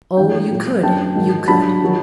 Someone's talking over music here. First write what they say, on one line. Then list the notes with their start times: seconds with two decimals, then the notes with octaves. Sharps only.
"Oh, you could--you could."
0.17 G2 E3 F5 G5
0.50 A#2 F#3
0.83 F#2 D3 F#3 G5 A5
1.16 G#2 D#3 F#3
1.48 G2 D3 F#3 A5 B5
1.83 D#3 F#3